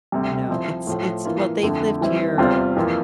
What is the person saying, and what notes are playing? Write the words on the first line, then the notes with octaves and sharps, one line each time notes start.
No, it's it's Well, they've lived here,
D2 C3 G3
F3 C4 E4
A2 F3 A3
E3 A#3 F4
F2 D3 A3
E3 G3 C4 E4
E2 C3 G3 C4 F4
F2 E3 A#3 F4